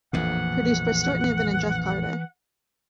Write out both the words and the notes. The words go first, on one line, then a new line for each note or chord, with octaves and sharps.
Produced by Stuart Niven and Jef Carter.
A#1 F2 A2 E3 F#5